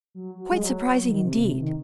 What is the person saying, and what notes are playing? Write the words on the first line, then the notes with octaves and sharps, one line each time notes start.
Quite surprising indeed!
F#3
F#3
G#3
F#3
D#3
C3
C3
D#3